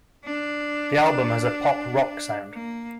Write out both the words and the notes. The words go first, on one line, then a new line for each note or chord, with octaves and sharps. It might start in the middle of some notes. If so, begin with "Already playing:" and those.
The album has a pop rock sound.
D4
A#3